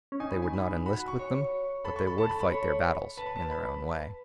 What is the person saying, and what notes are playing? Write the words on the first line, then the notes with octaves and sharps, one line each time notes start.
They would not enlist with them, but they would fight their battles in their own way.
C#4
D#4 G#5
B5
G#5
B5
F#4 B5
C#6
C#5
A4 B5
C#6
B5
A5
B5
B5
C#5
B4 A5
B5
A5
B5